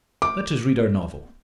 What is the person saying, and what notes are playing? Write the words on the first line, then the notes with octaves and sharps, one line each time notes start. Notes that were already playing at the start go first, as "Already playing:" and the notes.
"Let us read our novel."
D6